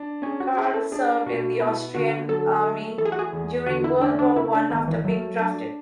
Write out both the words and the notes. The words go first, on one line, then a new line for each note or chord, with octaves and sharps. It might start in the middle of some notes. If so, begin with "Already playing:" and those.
Carl served in the Austrian army during World War One after being drafted.
Already playing: D4
C#4 G#4
F#4
E4 G#4
A4
D4 G#4
B2 F#4
B3 E4
D3 F#4
F#3 A4
A3
E3 A4
G#4
F#4
G#4
E2
D3 F#4
E4
A3 D4
D4
C#3 E4
D4
G#1 B3
E3
F#3 A3
D4